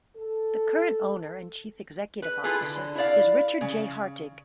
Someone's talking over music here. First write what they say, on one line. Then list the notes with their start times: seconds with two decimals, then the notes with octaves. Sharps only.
The current owner and chief executive officer is Richard J. Hartig.
0.17 A4
2.22 B4
2.44 E4 F4 G#4 A4 B4
2.62 D3
2.95 E4 A#4 D5 F5
3.61 C#3